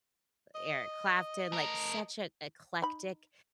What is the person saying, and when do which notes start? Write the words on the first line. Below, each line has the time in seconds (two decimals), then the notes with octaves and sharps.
Eric Clapton, like such an eclectic,
0.55 D#5
1.53 A3 A#4
2.82 D#4 B5